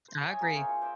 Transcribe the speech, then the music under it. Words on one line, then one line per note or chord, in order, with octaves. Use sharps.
I agree.
C5
C#5 D#5 E5 G#5
A#3 C4 G#4 A#4
A#4 C5 C#5 E5
F4
C5 D5 E5